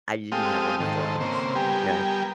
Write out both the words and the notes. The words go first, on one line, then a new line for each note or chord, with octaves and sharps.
I didn't have one of my gloves. 'Kay?
G#3 C4 G4 A4 F5 D#6
G#2 D#3 A4 C5
C#3 A#3 C4 C5
G3 B3 G4 A#4 G#5